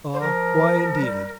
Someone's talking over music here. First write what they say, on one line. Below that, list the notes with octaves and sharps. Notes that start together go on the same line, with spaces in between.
Ah! why indeed?
C5
F3 A#4
G3